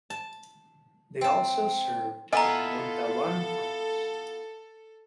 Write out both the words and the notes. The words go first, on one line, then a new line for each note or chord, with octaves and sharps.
They also served in Montaubon, France.
A5
C4 A5
B3 E4 F4 A4 D#5 G#5 A#5